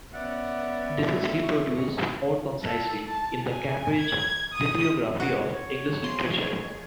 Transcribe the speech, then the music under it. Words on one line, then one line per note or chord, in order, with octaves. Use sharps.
This is reproduced more concisely in the "Cambridge Bibliography of English Literature".
B3 C#4 D5 E5 F#5
C#6
A4
A5
G#5
G#6
D#6
F#4 C#5
F3 G#4 C6